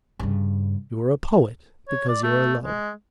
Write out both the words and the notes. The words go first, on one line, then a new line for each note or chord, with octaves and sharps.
You are a poet because you are low.
G2 C#3
C#5
D5
A3
G#3